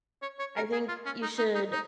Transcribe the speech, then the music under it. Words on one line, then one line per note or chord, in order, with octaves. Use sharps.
I think you should
C#5
C#5
A#4
G#4
F4
C#4
D#4
D#4
D#4
D#4